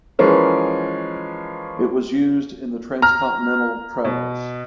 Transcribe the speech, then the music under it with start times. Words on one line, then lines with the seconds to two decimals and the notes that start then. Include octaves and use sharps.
It was used in the Transcontinental Traverse.
0.19 E3 F3 G#3 C#4 A#4
3.02 A#5 F6
4.05 B2